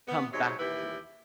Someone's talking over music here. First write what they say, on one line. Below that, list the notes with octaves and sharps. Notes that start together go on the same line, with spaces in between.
come back to it,
B3
G#2 C3 F#3 G#3 C#5
D#2 E3 E4 G4 B4